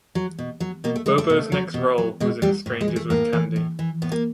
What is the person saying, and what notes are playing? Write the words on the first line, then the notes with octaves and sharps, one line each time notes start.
Bobo's next role was in "Strangers with Candy".
F#3
B2
F#3
B2 A#3
A3
F#3 G#3
A3
B2
F#3
B2
F#3
B2 G#3
F#3 G3
A2
G#3
E3
A3
A2 A#3
E3
A2
E3
A2 B3
A#3